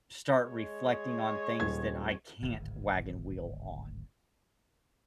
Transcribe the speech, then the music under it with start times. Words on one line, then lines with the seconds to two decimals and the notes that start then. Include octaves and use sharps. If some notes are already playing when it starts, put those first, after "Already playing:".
start reflecting on things that I can't wagon wheel on,
0.46 G#3 C#5
1.60 D#1 G#6
2.42 D1 G#1